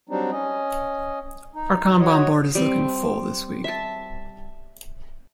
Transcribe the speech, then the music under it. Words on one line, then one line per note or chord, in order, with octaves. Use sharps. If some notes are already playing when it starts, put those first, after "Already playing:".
Our Kanban board is looking full this week.
F#3 G3 C4 D4 D#4
C#4 D#5
D#4
F#4 C#5 D#5
G3 C4
E5 A5